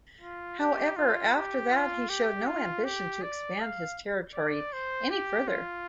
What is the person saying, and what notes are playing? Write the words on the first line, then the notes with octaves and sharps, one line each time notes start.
However, after that he showed no ambition to expand his territory any further.
F4
G4
F4
G4
F4
G4
F4
G4
D5
F5
D5
C5
G4
F4